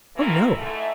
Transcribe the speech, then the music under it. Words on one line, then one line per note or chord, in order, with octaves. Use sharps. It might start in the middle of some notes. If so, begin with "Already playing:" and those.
"Oh no."
F2 B2 E3 E4 A#4
G#2 A3